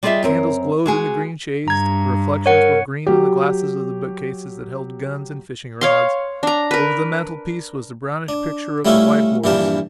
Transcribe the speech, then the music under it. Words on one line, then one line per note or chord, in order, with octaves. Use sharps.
The candles glowed in the green shades; the reflections were green in the glasses of the book-cases that held guns and fishing-rods. Over the mantelpiece was the brownish picture of the white horse.
G3 F4 G#4 B4 D#5 E5
F#2 C4 A#4
G#3 F#4 G#4
G2 A#5 G#6
A#4 C#5 F#5
F#3 G4
C#5 F5 C6
D4 A#5
A#4 B4
D4
G3 A3 C#4 E4 F4 A4
A#1 G2 E3 G3 F5 A5